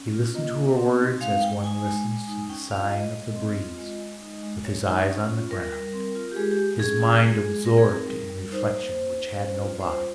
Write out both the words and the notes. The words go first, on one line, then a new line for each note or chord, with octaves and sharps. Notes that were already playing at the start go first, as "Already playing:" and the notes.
He listened to her words as one listens to the sighing of the breeze, with his eyes on the ground, his mind absorbed in reflection which had no bottom.
Already playing: C#4
F4
A#3 D#5
A#3
C4
D#4
G#3 F5
G#3 G5
D#4 G#5
G#3
G#3
D#4
C#4 G5
F4 F5
G#3 D#5
G#3
C4
F4
G#3
G#3
D#4
G#3
G#3 C#5
D#4
C#4
F4
G3 A#4
G3
C4
F4
G4
G#3 G#4
G4
G#3
C#4 G#4
F4
G#3
G#3
C4 A#4
G#4
D#4 A#4
G3
G3
D#4 C5
A#3
A#3
D#4
C#4
F4
G3 C5